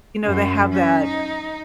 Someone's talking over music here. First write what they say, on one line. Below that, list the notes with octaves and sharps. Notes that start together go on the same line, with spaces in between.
you know, they have that, uh,
F#2
C#4
D#4